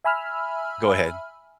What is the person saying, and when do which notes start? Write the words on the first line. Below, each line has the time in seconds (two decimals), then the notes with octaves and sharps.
Go ahead.
0.04 E5 G#5 B5 E6 F6